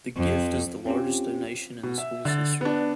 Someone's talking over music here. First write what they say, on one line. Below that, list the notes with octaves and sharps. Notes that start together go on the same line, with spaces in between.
The gift is the largest donation in the school's history.
F2
C4 C#4 F4 G4
B2
E5
D3 A6
B3 D4